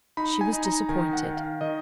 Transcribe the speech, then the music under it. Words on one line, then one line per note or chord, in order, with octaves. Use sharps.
She was disappointed.
D#4 B5
G#5
D#4
A#5
D#3 G#5
F#5
D#3
F5
D#3 D#5